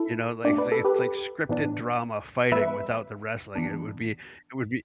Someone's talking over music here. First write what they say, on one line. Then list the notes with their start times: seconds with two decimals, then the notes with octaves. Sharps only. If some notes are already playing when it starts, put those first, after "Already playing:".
you know, like, it's it's like scripted drama fighting without the wrestling it would be it would be
Already playing: E4 A4
0.44 B2 A3 D4 D5
0.58 B4
0.72 A4
0.84 G4 B4
1.49 A2 E3 B3 D4
2.52 E3 G3 B3 B4 E5
3.55 E3 B3 D4